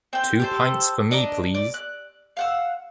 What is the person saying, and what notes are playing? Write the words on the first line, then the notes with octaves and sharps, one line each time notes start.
Two pints for me please.
C4 G5
G4 A4 C5
D4 D#5 A#5
D5
F#6
F5 F#5 E6